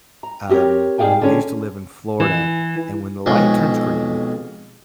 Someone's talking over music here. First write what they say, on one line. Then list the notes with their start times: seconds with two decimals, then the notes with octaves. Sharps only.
Um, I used to live in Florida, and when the light turns green,
0.23 A#5
0.49 C4 G4 G#4 A#4 C#5
0.98 G#2 G3 G#4 F5 G5 G#5
1.21 D3 C#4 G#4
2.20 E3
3.26 B1 F2 G#3 C#5